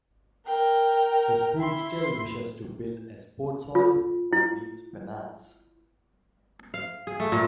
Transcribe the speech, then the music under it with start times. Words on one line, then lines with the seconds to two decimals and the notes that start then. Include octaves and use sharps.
The school still wishes to build a sports hall but needs finance.
0.46 A#4 G5
1.56 E4 C6
3.75 F4
4.33 E4
6.74 F5
7.07 G#4
7.20 A3
7.32 A#2